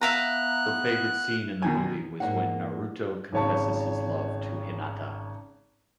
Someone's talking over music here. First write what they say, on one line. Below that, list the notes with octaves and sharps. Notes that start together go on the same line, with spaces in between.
Her favorite scene in the movie was when Naruto confesses his love to Hinata.
B3 E5 F5 A#5 F#6
B2 D#3 G#5
G#2 D#3 A#3 F#5
G#1 C#3 C#5 A5 C#6